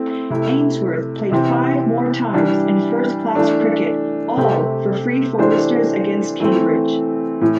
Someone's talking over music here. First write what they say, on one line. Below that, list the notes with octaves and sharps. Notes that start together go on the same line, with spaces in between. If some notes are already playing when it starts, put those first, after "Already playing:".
Ainsworth played five more times in first-class cricket, all for Free Foresters against Cambridge.
Already playing: A3 C4 E4
C3 A3 E4
C3 E3 C4
E3 G3 D4
E3 A3 D4
C3 A3 C4 G4
E3 A3 D4 G4 C5
E3 A3 C4
A2 E3